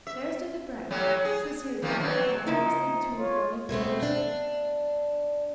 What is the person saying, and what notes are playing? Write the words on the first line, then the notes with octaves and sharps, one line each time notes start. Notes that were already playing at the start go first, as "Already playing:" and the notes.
There stood the Breton twisting his battered cap nervously between his bony fingers.
E5
A2 F#3 G3
G#4
D#3 F3 A#3
B2 F#3 C4
C#3 F3 D#4 E4
F4 C#5
B2 G#3 A3 C4
D4